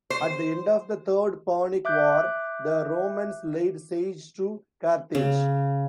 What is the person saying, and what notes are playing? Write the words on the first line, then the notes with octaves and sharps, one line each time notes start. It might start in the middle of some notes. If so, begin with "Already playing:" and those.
At the end of the Third Punic War, the Romans laid siege to Carthage.
C5
E5 D6 F#6 G6
C#3